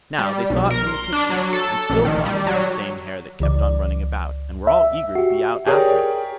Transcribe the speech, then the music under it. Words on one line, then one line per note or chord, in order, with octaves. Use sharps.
Now, they saw it from the kitchen, and still thought it was the same hare that kept on running about, and were all eager to be out after it.
G3
B1
A#4
C6
D4
F#3
A4
A#1
D#3
G3
F#3
C#2 E3 D5
E5
F#4 G4
G4 G#4 A#4 C#5 D5